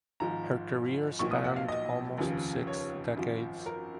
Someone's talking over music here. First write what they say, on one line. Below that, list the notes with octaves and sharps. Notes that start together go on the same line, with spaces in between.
Her career spanned almost six decades.
G#1 G#2 F3 A#5
B1 A#2 F3 C#6
D#6
F#5
F5
D#5
F1 D#2 C#3 F3
C#5
G#1 F#2 F3
A#4